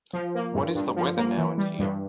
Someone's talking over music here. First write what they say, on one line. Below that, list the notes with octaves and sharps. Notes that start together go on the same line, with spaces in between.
What is the weather now and here?
F3
A#3
G2
G2
F3
A#3
E3
G3
G2